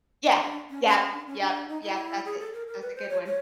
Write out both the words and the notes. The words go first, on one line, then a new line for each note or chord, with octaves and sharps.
Yeah, yep, yep, yep, that's it, that's a good one.
D4
D4
C#4
C#4
D4
C#4
D4
D#4
E4
G#4
A4
A#4
A#4
B4
C5
C#5
C#5